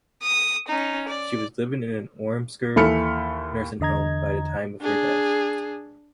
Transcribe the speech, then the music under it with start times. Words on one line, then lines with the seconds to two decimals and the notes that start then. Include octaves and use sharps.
She was living in an Ormskirk nursing home by the time of her death.
0.23 D#6
0.69 C#4 D#4
1.09 D5
2.76 D#2 E3 A4 B5 F6 C#7
3.80 E2 D3 D#5 A#5 G#6
4.81 D4 G#4